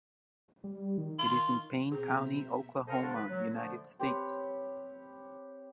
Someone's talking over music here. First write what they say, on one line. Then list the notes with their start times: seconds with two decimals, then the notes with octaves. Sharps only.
It is in Payne County, Oklahoma, United States.
0.64 G3
0.98 D#3
1.19 F4
1.92 B2 C4 G#4 E5 A#5
2.87 A4 A#4 C5 C#5 D#5 F5
3.01 G#2 D3 D#3 G#3 D4
3.14 B4
3.29 F#3
3.53 D3 F3 A3
3.99 C4 G4 B4 C#5